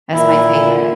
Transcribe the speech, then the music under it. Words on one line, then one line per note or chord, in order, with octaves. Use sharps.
That's my favorite.
A#2 E4